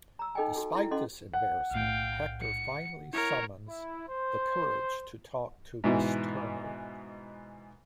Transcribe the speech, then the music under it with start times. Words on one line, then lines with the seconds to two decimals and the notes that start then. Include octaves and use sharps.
Despite this embarrassment, Hector finally summons the courage to talk to Miss Turner.
0.19 A#5 E6
0.35 D#4 A4 D#5 G5 G#5
0.55 F#4 A4
0.75 E4
0.91 C#4 A4 D#5 F#5 C6
1.34 F#5
1.71 B1 A2 F5 G5
2.41 C#7
3.13 E4 A#4 C#5
3.68 E4
4.08 C5
5.84 G#2 B2 E3